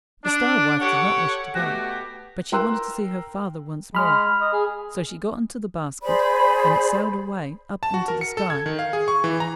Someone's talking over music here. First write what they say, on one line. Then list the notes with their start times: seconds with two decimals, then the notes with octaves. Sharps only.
The Star-wife did not wish to go, but she wanted to see her father once more, so she got into the basket and it sailed away up into the sky.
0.24 D4
0.80 G4 A4 C#5 F#5
1.53 B2 A3 F#4 G4
2.52 A#4 G5 A#5 C6 E6 F#6
3.95 G#3 B5 F6
4.41 D#5
4.52 G#4
6.02 G#4 C5 D5 B5
7.83 A5
7.94 F#4
8.08 A#4
8.21 C#7
8.37 A4
8.50 G#6
8.66 D#3
8.79 F5
8.93 G#4
9.08 C#6
9.24 E3
9.40 A#5